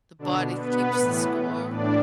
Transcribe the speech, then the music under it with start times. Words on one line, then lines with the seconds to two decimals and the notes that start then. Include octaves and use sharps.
The Body Keeps the Score?
0.19 B2 D3 D4
0.57 B3 B4
0.95 A2 E3
1.71 A2 D4 D5